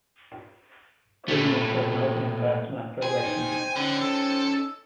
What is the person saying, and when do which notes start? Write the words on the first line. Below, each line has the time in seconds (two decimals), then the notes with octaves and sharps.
Greenidge was an opening batsman for the West Indies.
1.28 A#2 A3
3.03 G#4 C5 G5 G#5
3.23 E2 D#4
3.76 D3 C#4 D#4
4.01 A4
4.53 E6